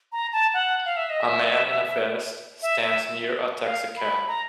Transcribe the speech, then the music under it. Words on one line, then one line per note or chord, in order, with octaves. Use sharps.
A man in a vest stands near a taxi cab.
A#5
A5
F#5
F5
E5
D#5
E5
E5
E5
F5
B5
A#5